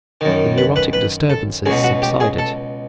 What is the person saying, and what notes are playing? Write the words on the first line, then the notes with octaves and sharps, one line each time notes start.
The neurotic disturbances subsided.
F#2 D#3
B4
B4
B4
A4
C#2 B2 G#4
F#4
G4
G#4
A4